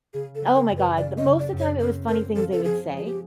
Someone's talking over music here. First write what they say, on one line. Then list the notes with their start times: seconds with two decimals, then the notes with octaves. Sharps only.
Oh my God. The most of the time, it was funny things they would say.
0.14 C#3 G#4
0.35 A4
0.41 F#3
0.56 A#4
0.70 F#2
0.77 B4
0.97 C#3 D5
1.18 D#5
1.25 C#3
1.39 D5
1.52 F#2
1.59 C#5
1.80 C4 A#4
2.08 C4 A#4
2.36 F3 A4
2.52 A4
2.64 F3 G#4
2.92 G#3
2.97 G#4
3.05 G4